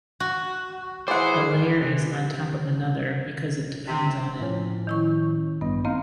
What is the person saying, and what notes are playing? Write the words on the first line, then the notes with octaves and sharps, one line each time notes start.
A layer is on top of another, because it depends on it.
F#4
E3 E4 G#4 C5 D5 F#5
C3 F#6 C7
C3
A2 F3 C#4
D#3 E4 C#6
A1 G2 B3 D#5
A#3 C4 D#4 F5